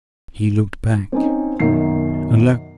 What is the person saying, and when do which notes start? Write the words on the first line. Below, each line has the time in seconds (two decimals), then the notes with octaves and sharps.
He looked back, and lo!
1.12 C4 C#4 D#4
1.60 F#2 B2 D#3 C7